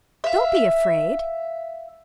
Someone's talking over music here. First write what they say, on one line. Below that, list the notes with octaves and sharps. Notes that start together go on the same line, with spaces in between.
Don't be afraid.
E5 F5